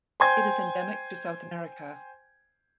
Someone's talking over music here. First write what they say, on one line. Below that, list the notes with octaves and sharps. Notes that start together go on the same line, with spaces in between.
It is endemic to South America.
C5 G5 G#5 C6 G6 G#6